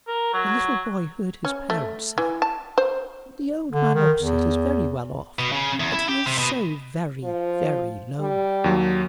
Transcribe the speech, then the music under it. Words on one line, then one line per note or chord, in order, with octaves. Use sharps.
The little boy heard his parents say, "The old man opposite is very well off, but he is so very, very lonely!"
A#4
F#3
C#4
A3
E3
A5
C5
D3
D#3
E2
B2
C#3
E2
E4
G4
C3
B2
F3
G3
D#2 F#3